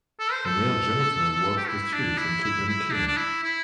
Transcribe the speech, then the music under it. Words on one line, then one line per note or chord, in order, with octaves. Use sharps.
A male janitor walks the streets and keeps them clean.
A4
C5
A4
G4
E4
D4
E4
E4
E4
D4
D4
E4
E4